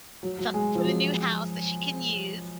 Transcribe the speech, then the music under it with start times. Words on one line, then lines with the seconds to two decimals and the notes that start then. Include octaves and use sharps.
Something for the new house that she can use.
0.23 F#3
0.38 F#3
0.54 G#3
0.75 F3
0.84 F#3